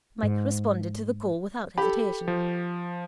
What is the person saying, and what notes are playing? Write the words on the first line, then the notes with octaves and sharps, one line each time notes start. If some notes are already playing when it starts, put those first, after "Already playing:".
Mike responded to the call without hesitation.
G#2
G4 A4 B5
F3